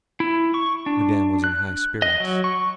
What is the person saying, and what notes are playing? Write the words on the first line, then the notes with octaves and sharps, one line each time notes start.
Madame was in high spirits.
E4
C#6
D4
F#6
D#5
F#3
C#6